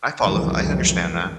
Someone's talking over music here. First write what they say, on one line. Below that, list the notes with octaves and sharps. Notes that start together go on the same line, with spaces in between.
I follow. I understand that.
C2 F2 D#3 E3 F#3 G#3